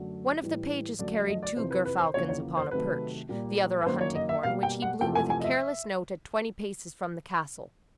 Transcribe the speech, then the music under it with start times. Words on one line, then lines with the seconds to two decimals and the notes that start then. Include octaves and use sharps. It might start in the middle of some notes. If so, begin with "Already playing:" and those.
One of the pages carried two gerfalcons upon a perch, the other a hunting-horn, which he blew with a careless note at twenty paces from the castle.
Already playing: F#2 D3 F#3 A3
0.42 A2 E3 G3
0.99 F#2 D3 F#3 A3 D5
1.14 D#5
1.28 D#5
1.43 D5
1.56 F2 C3 E3 C5
1.71 B4
1.86 B4
2.00 C5
2.14 E2 C#3 F3 A#3 C#5
2.29 C#5
2.57 C5
2.71 C3 D#3 F#3 A3 B4
3.29 A#2 G3 A#3
3.81 B4
3.86 F#2 D#3 F#3 A#3 C5
4.01 C#5
4.15 D#5
4.29 E5
4.43 B2 G3 A#3 F5
4.63 G5
4.82 F#5
5.01 E2 C3 F3 A3 G5
5.15 G#5
5.30 G#5
5.40 D#5
5.44 E5